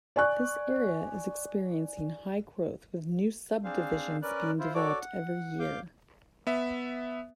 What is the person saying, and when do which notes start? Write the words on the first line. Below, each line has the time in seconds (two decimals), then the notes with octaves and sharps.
This area is experiencing high growth with new subdivisions being developed every year.
0.16 D5 G#5 C#6 F#6
3.64 C4 D4 G#4 C5 F5
4.22 C#4 A#4 B4 D5 F#6
4.59 E4 F4 C5
4.75 F#4 A4 C#5 D5 D6
5.01 F#5
5.59 F5 D6 G6
6.47 B3 E5